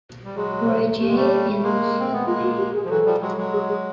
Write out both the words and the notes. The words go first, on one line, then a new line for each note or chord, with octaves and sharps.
Roy J. and Lucille A.
G3
F#3 G#3 G#4
C5
A3 G4
G#3
G3 A3
A3
G#3 A#3
C4
B3
G#3 A#3 F4
F#4
G4
G#4
F3
E3 F#3 A4
F3 G3
F#3 G#3
F#3 G#3
G#4
G#4